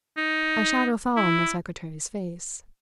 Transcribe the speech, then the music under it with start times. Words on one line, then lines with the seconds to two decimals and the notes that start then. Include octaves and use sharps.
A shadow fell on the secretary's face.
0.17 D#4
1.17 E4